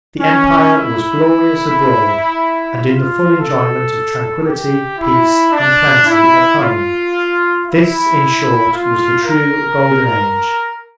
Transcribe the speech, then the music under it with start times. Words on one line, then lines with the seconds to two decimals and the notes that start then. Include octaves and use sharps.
The Empire was glorious abroad, and in the full Enjoyment of Tranquility, Peace and Plenty, at home: This, in short, was the true golden Age.
0.19 C#4
0.72 E4
2.85 F4
3.39 A4
4.45 G4
4.99 E4
5.51 D4
6.05 E4
6.58 F4
7.64 E4
8.71 F4
9.24 A#4